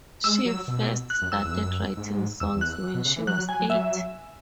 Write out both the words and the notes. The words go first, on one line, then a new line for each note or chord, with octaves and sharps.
She first started writing songs when she was eight.
G#3 E6
F#3
B2
F#6
F#2
F#2 E6
E2
F#2
G#2
E2 E6
E2
F#6
B2
C#3
E3
F#3 F#6
F#3
F#3 G#5
F#3
F#3 E5